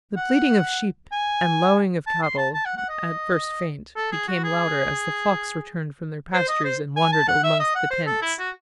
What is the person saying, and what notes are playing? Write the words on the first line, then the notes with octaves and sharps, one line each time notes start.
The bleating of sheep and lowing of cattle, at first faint, became louder as the flocks returned from their pastures and wandered amongst the tents.
F#5
G#5
A5
C6
A5
A5
F#5
F#5
D#5
A4
G#4
F#4
G#4
C5
D#5
C5
G#5
A5
F#5
E5
D#5
F#5
C5
A4
E4
F#4